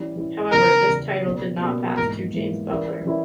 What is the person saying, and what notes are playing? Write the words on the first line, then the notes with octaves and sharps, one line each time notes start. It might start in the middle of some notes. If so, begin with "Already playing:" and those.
However, this title did not pass to James Butler.
Already playing: E3 G3 C#4 E4
E3 G3 C#4 E4
E2 C#3 G3 C#4 A#4
E2 C#3 G3 C#4
B2 G3 A#3 C#4
B2 G3 A#3 C#4
G#2 E3 G3 A#3 A#4
G#2 E3 G3 A#3
E3 G3 C#4 E4 A#4
E3 G3 C#4 E4 A#4